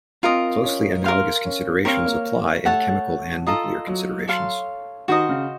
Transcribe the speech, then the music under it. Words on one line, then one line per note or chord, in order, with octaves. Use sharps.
Closely analogous considerations apply in chemical and nuclear considerations.
C4 F4 A#4 D#5
C#4
A#4 F5 C6
C#4
C4 A#4 C#5 F5
A#3
A3 A4 C#5 F#5 A5
F4 A4 D#5 A#5
F#3
A4 C#5 F5 C6
D#3 F#4 C5 D#5 A#5
C#3